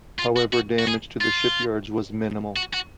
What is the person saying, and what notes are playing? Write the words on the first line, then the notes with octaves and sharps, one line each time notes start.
However damage to the shipyards was minimal.
F4
F#4
F#4
F#4
G#4
F4
F#4
F#4